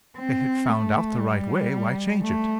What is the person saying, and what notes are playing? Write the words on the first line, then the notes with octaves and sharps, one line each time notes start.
"If they had found out the right way, why change it?"
C4
A3
G3
A3